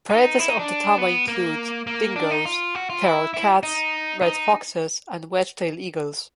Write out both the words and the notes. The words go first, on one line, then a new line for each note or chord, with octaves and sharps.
Predators of the tammar include dingos, feral cats, red foxes and wedge-tailed eagles.
D#4
E4
D#4
D4
B3
A#3
A#3
D4
D#4
F4
F#4
F4
E4
E4
D#4
D#4